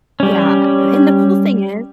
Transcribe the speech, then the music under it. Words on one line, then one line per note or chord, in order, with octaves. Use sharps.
Yeah, uh a and the cool thing is
G3 C#4